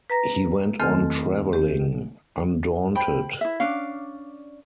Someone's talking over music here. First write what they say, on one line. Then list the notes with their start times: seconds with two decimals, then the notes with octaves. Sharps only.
He went on traveling, undaunted.
0.10 B4 A#5 A#6
0.80 E2 D#3 A3 C4 A4 F6
1.53 G4
2.95 C5 G5 B5
3.41 E4 E5
3.60 C#4 D4 D5 F5